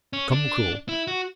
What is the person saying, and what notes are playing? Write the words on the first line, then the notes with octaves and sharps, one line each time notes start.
Come, cruel!
C#4
D4
E4
F#4